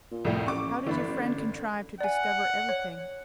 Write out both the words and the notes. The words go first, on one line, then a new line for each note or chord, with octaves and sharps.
How did your friend contrive to discover everything?
A#2
C2 F2 A2
A1 C#6 D6
G1 E3 D4 B5
A1
D5 F#5 G#5
C#5